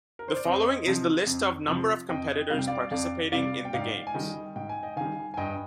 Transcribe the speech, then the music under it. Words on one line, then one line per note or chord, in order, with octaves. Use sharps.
The following is the list of number of competitors participating in the Games.
A#4
C5
D5
F2 C5 D#5
C3 F3
F2
C3 F3
F2 D#5 G5
C3 G3 F5
G5
D5 F5
F2 D5 F5
C3 G3 D5 F5
G5
G#2 D5 F5
G#5
D#3 G3 D#5 G5
G#2 G5
G#5
D#5 G5
D#3 G3 F5 G#5
G#5
G2 D#5 G5